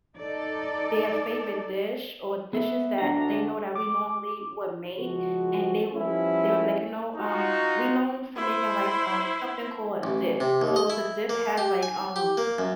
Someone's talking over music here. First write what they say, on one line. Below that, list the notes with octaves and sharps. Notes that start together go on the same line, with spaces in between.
their favorite dish or dishes that they know that we normally would make, and they would they would be like, you know, um we're known for making like, um, something called a dip. So the dip has, like, um
D#4 A4 D5
B3 E5
D2 D4 A#5
D6
C#3 F3 G#3 F#4
F3 G3 B3 C#4 E4
D#4 F4 F#4
E4 C5
A1
C3
D#2
D#5
E4
A#3
G4
G#5
G4
A#3
F#2